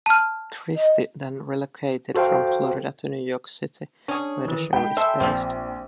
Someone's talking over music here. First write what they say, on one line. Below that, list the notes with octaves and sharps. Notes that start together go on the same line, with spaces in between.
Christy then relocated from Florida to New York City, where the show is based.
A5 F6
D#5
F#4 A4 C5 F5 G5
C#4 D4 G#4 C#5
D#3 E3
G#3 D#4 G5 B5
A4 E5 G#5 C6
A#1 F3 G3 C4